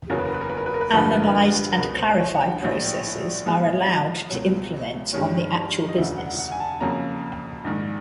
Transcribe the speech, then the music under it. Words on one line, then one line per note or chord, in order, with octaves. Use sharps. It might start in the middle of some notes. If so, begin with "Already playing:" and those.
Analysed and clarified processes are allowed to implement on the actual business.
F#1 E2 C#3 F#3 B3 A#4
B4
A#4
B4
A#4
B4
A#4
B4
A#4
B4
A#4
A1 G2 D3 F3 A3 B4
A#4
B4
A#4
B4
C#2 B2 G#3 B3 A#4
C5
C#5
F#5
G5
A#1 A2 F#3
A2 F3 G#3 B3
C#2 B2 F#3
G2 D#3 G#3 C#4
D#5
E1 D2 C#3 E5
F#5
F#5
G#5
A5
F2 C#3 F#3 A#3 C#4 A#5
A#1 G#2 D#3